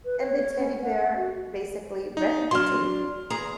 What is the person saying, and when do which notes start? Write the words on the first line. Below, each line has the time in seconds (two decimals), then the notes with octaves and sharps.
And the teddy bear basically read the book to you.
0.05 B4
0.20 C#5
0.58 C#4
0.82 F#5
1.17 F#4
2.17 D#4
2.51 F#3 D4 C6 F6
3.30 E2 G#4 A#5